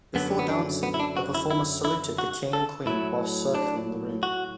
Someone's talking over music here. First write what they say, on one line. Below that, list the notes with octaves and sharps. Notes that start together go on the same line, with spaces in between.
Before dancing, the performers saluted the King and Queen whilst circling the room.
F#2 D3 F#3 B3
B3
D4
B3
E4
D4
F#4
E4
E4
E4
F#4
A4
A2 F#3 E4
D4
F#4